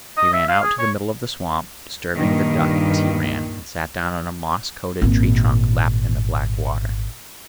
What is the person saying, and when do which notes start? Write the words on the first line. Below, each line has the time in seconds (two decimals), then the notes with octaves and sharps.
He ran out to the middle of the swamp, disturbing the duck as he ran, and sat down on a moss-coated tree-trunk lapped in the black water.
0.17 D#5
0.33 E5
0.49 F5
0.63 G#4
0.79 C#5
2.14 G2 A#2 D#3
5.02 G#1 A#2